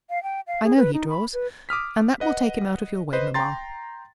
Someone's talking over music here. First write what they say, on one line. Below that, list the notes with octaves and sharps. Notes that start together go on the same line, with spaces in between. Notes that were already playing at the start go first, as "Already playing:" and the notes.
I know he draws, and that will take him out of your way, mamma.
F5
G5
F5
G#4
B4
D#4
B5
B4
D6 D#6 F6 B6
B4 D#5 F#5
B4 C5 D#5
G5 A#5 C6 A6